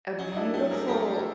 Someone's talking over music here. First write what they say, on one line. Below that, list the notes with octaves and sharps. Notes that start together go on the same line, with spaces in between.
a beautiful
F#3 C#4 D#4
D#4
D4 E4
F#3 G4 A4
G#4 A#4
A3 G4 A4